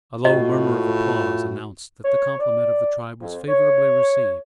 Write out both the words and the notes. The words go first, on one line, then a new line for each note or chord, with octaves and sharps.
A low murmur of applause announced that the compliment of the tribe was favorably received.
A2 F4 F#4 D#5
C#5
D5
F2
C#5